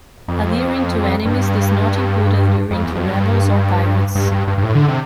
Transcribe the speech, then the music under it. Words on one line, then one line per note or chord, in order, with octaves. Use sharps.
Adhering to "enemies" does not include adhering to rebels or pirates.
F2
G2
F2
E2
F2
G2
G2
G2
G2
G2
A2
D3
C3